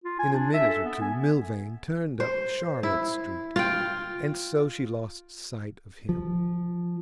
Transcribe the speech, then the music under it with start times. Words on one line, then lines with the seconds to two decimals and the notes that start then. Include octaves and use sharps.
In a minute or two Milvain turned up Charlotte Street, and so she lost sight of him.
0.04 F4
0.19 G#5
0.32 D4
0.54 E5
0.69 A4
0.84 B3
1.01 G#5
2.20 C5
2.83 E4
3.56 F4 G5
6.09 F3